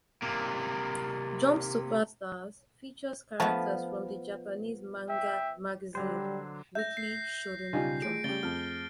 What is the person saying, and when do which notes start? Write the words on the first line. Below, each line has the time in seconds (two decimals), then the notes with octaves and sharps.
"Jump Super Stars" features characters from the Japanese manga magazine "Weekly Shonen Jump".
0.22 C3 A#3
3.40 F3 A3 B3 A4 A5
5.07 E5 G5
5.95 D3 F#3 G3 C5
6.75 E5 G6 A#6
6.97 C7
7.73 B1 C#3 G3 D#4 F4 G#5
8.02 A3 G#4 D7
8.24 C#3 G3 A6 G7
8.43 F2 F6